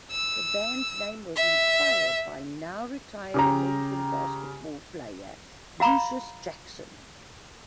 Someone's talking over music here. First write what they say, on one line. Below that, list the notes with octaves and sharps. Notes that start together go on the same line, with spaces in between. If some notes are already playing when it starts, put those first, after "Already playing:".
The band's name was inspired by now-retired American basketball player Lucious Jackson.
E6
E5
C#3 G4 A#5
F#4 F5 A#5 B5 C#6